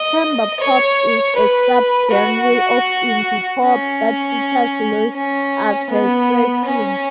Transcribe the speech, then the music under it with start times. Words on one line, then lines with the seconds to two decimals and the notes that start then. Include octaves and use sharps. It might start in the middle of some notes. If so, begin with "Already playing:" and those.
Chamber pop is a subgenre of indie pop that features lush orchestrations.
Already playing: D#5
0.60 C#5
1.36 B4
2.11 F#4
3.63 C#4
5.14 C#4
5.90 B3
6.65 C#4